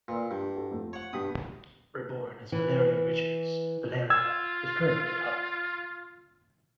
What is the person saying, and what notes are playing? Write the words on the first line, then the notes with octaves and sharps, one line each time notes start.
Reborn as Valeria Richards, Valeria is currently a toddler.
A#2 B4 D5 E6
G2
E4 F#4 A4
F2 A3
C#5 F#5
G2 B2 F#4 D#6 B6
E3
F4 E6 G#6